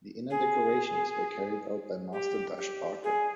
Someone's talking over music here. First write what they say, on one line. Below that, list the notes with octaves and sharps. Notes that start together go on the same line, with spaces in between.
The inner decorations were carried out by Master Dush Barka.
G#4
G4
G4
G#4